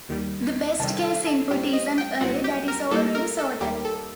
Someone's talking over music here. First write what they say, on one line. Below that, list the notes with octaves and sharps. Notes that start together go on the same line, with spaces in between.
The best case input is an array that is already sorted.
D#2 D#3 G3
C3 D#3 G3 A4
A4
A4
A2 G3 C4 G4
D#5
G5
C2 A#2 F#3 C4 F#5
G4
A#4
A2 G3 A#3 A4
A#4
A4
D#2 D#3 G3 A#3 G4
A4